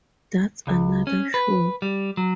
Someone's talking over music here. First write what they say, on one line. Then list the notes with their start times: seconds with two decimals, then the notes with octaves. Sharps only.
That's another show.
0.67 C#2
1.07 C#4
1.34 B4
1.82 G3
2.17 F#3